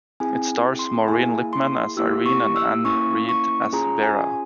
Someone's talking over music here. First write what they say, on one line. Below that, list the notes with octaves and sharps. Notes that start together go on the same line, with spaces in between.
It stars Maureen Lipman as Irene and Anne Reid as Vera.
C4 E4 G#4 G#5
C6
A#3 E4 G#4 G#5
C6
A#3 E4 G4 E6
C#6
E6
A#3 C#4 E4 C#6
C#6
C#4 F4 G#4 A#5
G#5